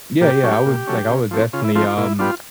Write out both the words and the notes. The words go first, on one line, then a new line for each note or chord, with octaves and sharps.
Yeah, yeah, I would, like, I would definitely, um,
A#2 G4
F#3 A3 C#4
A#2
F#3 A3 C#4
C#3
F3 A3 C4
C#3 F4
E4
F3 A3 C4 F4
F4
A#2 E4
G3 B3 D4 F4